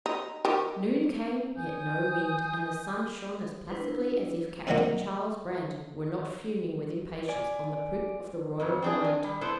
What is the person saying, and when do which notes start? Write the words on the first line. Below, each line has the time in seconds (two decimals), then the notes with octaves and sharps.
Noon came, yet no wind, and the sun shone as placidly as if Captain Charles Brandon were not fuming with impatience on the poop of the Royal Hind.
0.06 D#4
0.45 D#3 G4
1.56 G#5 D#6 G6
3.68 D4 E4 B4 C5
4.67 F2 G#2 D3 D#3 F#3 A#3
7.29 D5 G#5
8.60 F2 G#2 F#3
8.82 C4 D4 G#4
9.05 G#5
9.24 G3
9.41 B3 E4 A4 B4 C5